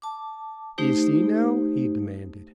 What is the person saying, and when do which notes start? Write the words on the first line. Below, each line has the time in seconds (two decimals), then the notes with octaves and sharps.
"D'ye see, now!" he demanded.
0.02 A5 D6
0.78 A3 D#4 G4 C5